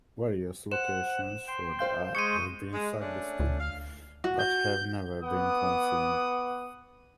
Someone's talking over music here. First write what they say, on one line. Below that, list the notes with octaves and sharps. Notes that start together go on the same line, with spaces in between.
Various locations for the ark have been suggested but have never been confirmed.
C5 F#5 E7
G5 C6
C5 F5 G6
G#3 G#4 C5 C#6 G6 C#7 D#7
G#3
A3 C#4 D4
D2
F5
F#4
G6
B3 F#5 D6 D#6